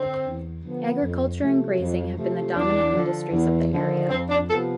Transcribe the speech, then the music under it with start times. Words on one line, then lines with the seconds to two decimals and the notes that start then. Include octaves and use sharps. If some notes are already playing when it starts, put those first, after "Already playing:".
Agriculture and grazing have been the dominant industries of the area.
Already playing: D3 C4
0.25 E2
0.64 D3 F3 B3
1.02 F2
1.40 C3 F3 A3
1.79 F2
2.17 C3 F3 A3
2.56 E2 D4
2.94 D3 F3
3.33 E2
3.71 D3 F3
4.10 F2 C4
4.29 D4
4.48 C3 F3 B3 A4